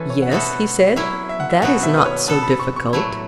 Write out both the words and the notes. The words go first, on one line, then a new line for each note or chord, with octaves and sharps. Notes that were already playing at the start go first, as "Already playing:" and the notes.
Yes, he said; that is not so difficult.
Already playing: E3 C#4 A4 B4
C#5
F#5
B2 B3 F#4 A4 E5
F#3 C#4 E4 E5
E5
F#5
E5
B2 F#3 B3 F#4 A4 F#5
E5
B4
C#5
B2 B3 A4 A5
B5
C#6
C#6
A2 F#3 A3 E4